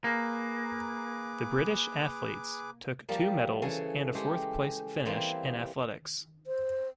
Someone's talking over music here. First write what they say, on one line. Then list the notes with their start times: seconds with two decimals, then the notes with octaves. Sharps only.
The British athletes took two medals and a fourth-place finish in athletics.
0.04 A#3 G#4 B4 D6
3.09 F3 G3 A#3
3.62 C#3 E3 G#4 A4
4.15 G#3 A3 G4 G#4
5.05 E3 G3 A#3 C4
6.47 C5